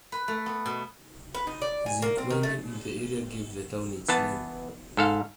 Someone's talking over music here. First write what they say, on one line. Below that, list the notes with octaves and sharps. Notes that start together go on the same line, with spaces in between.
Zinc mining in the area gave the town its name.
B4
A3
B3
B2
B4
D#4
D5
G#5
A#3
C4
D#3
A3
E3 B3 A5
G#2 A4 F5